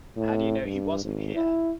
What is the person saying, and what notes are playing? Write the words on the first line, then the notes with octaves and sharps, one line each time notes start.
How do you know he wasn't here?
A2
G2
G#1
E4